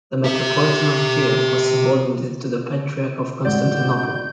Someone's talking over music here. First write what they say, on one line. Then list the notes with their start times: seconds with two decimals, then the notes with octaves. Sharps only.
The metropolitan of Kiev was subordinated to the Patriarch of Constantinople.
0.25 G4 E5
3.45 G#1 A2 D3 D#3 G#3 F#4 D5 G6